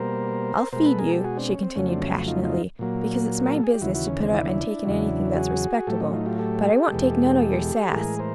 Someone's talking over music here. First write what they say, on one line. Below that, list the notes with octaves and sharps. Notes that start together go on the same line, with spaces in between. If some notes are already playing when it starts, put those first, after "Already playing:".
"I'll feed you," she continued passionately, "because it's my business to put up and take in anything that's respectable; but I won't take none o' your sass!"
Already playing: B2 G3 A#3 A#4 C5
B2 G#3 A#4 C5
A4 B4
G#4 A#4
G4 A4
F#4 G#4
C4 D4
C#4
C4
F2 C#3 F#3 A3 C#4
C4 D4
C#4
D#4 F4
D#4 F4
A#2 F#3 A#3
A#4
A4
G#4
G4
D#2 C#3 E3 E4 F#4
E4 F#4
C#4
C4 D4
D4 E4
E2 C#3 F#3
F#4 G#4
A2 F#3 A3 G4 A4
C#4 D#4
D#4 F4
F4 G4
G4 A4
E2 B2 G#3
A2 E3 G#3 G#4 A#4
A#4 C5